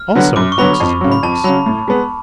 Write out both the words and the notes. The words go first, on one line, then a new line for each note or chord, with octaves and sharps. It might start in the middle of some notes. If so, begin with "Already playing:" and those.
Also boxes and bundles.
Already playing: F6
D3 F#3 B3 F#4
F#2 D6
C#6
D3 F#3 B3 F#4 B5
F2
C#3 F#3
B5
F2 A5
C#3 F#3 B5
A2
G#3 B3